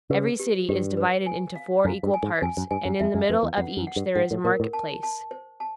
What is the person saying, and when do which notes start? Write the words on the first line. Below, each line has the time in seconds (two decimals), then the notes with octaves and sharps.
Every city is divided into four equal parts, and in the middle of each there is a market-place.
0.10 C#3 B4
0.39 G4
0.69 G2 G4
0.97 B4
1.26 G#5
1.56 F5
1.84 F#2 F5
2.03 G2
2.14 G#5
2.23 G#2
2.42 F2 G#5
2.57 F#2
2.71 G2 G#5
2.85 F#2
3.00 F2 E5
3.14 F#2
3.29 F2 B4
3.43 E2
3.57 F2 F#5
3.77 F#2
3.87 F#5
3.96 G2
4.15 G#2 F#5
4.31 A2
4.44 A#2 A#4
4.60 A2
4.73 A5
5.03 A5
5.31 C5
5.60 A5